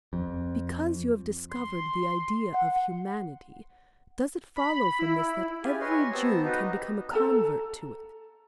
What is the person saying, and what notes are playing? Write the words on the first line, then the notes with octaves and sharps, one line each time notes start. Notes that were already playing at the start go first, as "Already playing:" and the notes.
Because you have discovered the idea of humanity, does it follow from this that every Jew can become a convert to it?
F2
C6
F#5
B5
E4
F4 G4 G#4 G#5
B4 C#5 D#5 G#5 C6
B3 C4 G4 A5 A#5 E6
D#4 F#4 B4 D#5
A4 A5 A#5